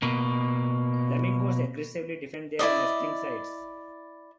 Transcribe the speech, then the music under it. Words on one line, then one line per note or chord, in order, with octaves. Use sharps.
Flamingos aggressively defend their nesting sites.
B2 A#3
E4 F4 D5 D#5